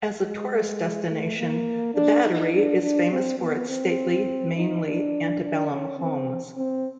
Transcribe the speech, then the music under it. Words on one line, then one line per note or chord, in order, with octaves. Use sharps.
As a tourist destination, the Battery is famous for its stately, mainly antebellum homes.
G#3
A3
A#3
D4
D#4
D4
D4
C4
B3
C4
D#4
D4
D4
C#4
C4
C4